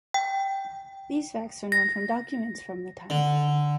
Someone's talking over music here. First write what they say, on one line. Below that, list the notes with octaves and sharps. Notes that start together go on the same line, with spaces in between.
These facts are known from documents from the time.
G5
A#6
D3